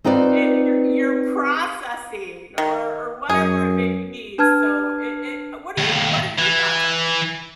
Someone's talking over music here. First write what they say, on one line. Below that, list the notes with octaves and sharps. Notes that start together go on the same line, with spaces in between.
eh y you're processing or or whatever it may be, so, it it what are you what are your thoughts on that?
C4 D#4 F4 B4 D5
D#3
F#2 G#4
D4 B4 A5 F6 G#6
D#2 A2
E3